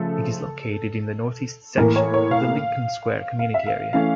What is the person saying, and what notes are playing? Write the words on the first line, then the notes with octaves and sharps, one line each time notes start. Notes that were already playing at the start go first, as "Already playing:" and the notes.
It is located in the north east section of the Lincoln Square community area.
Already playing: C#3 F3 A3 A4
A2 E3 A#3 A#4
C#5
C#5
F5
F5
E5
F5
E3 A3 C#4 F5